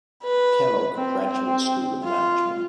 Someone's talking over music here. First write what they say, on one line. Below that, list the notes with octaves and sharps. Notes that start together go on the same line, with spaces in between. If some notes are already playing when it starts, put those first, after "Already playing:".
Kellogg Graduate School of Management.
B4
C4
C4
F4